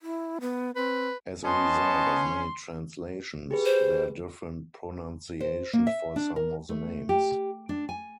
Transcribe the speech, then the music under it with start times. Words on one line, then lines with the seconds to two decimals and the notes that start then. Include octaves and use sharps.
As a result of many translations, there are different pronunciations for some of the names.
0.02 E4
0.41 B3
0.76 C4 B4
1.45 B3 C#4 D#5 A5 C6
3.51 G4 G#4 B4
3.65 C5
5.40 C5
5.73 A#3
5.87 E5
6.16 D4
6.36 A#4
6.69 A3
7.09 G4
7.69 D4
7.89 G#5